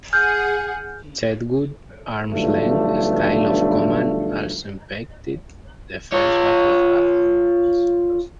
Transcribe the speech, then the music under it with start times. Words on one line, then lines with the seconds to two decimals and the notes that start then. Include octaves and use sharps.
Chetwode's "arms length" style of command also impacted the First Battle of Gaza.
0.13 G#4 F#5 F6 G6
2.33 B1 G2 D3 F3 A3
6.13 F4 C#5